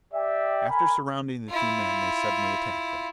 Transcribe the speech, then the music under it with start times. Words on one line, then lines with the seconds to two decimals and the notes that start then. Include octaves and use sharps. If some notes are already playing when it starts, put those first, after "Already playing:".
After surrounding the two men they suddenly attacked them.
0.14 G4 D5 E5 G5
0.68 A#4 G#5 B5
1.49 E4 F4